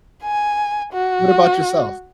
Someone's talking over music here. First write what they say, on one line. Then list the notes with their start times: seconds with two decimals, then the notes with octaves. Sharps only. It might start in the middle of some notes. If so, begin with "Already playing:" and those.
what about yourself?
0.23 G#5
0.93 F#4